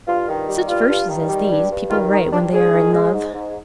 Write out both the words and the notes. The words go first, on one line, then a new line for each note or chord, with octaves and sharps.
Such verses as these people write when they are in love!
G2 F4
D#3
G3
G2 F4
G2
D#3
G3
G2
G2
D#3 F4
G3 D#4
G2 D4
G#2 G#4
D#3
G#3
G#2
G#2